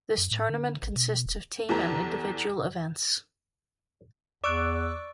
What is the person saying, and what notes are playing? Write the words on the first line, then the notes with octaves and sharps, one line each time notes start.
This tournament consists of team and individual events.
F#2
A2
D3
A1
B2
D#1
E2 E3 G4 A4 A#5
E2 D5 C#6 D6 E6 F#6 D7